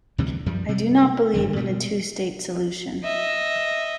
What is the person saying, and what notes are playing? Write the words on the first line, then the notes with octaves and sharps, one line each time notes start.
I do not believe in a two-state solution.
D2 C3 E3 G3
F#2 F3 G3
C3 G3 G#3
G#1 G2 D3 F#3
B2 G3 G#3
D#5 E5